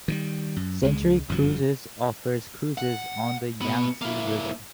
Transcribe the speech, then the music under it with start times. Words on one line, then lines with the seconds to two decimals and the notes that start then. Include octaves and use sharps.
Century Cruises offers cruises on the Yangtze river.
0.08 D#3 E3 G3
0.56 F#2
0.83 C#2 G3 G#3
1.29 G1 F#2 F3 F#3
2.78 F#5
3.62 B2 B3
4.02 A#3 E4